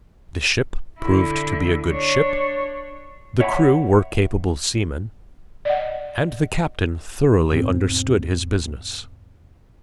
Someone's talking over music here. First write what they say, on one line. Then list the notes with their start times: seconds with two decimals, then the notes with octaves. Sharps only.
The ship proved to be a good ship, the crew were capable seamen, and the captain thoroughly understood his business.
0.99 D3 E4
1.89 D4 C#5
3.40 C#5 E5 F#5 G5 B5
5.65 D5 D#5 F#5
7.53 E2 G#2 C3 C4